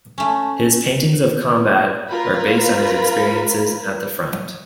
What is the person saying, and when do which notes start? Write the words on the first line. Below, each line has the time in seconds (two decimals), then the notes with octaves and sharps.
His paintings of combat are based on his experiences at the front.
0.18 A3 C#4
2.09 F4 A#4 B4 B5